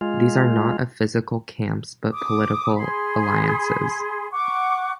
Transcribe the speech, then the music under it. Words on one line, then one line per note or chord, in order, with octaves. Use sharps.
These are not a physical camps but political alliances.
G#3 F4
D6 D#6
G#4 B5 C6
F#5 C#6 D6